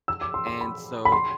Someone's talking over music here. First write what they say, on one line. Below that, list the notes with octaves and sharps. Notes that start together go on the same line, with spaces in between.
And so
E6
D6
C6
C6
B5
B5
C6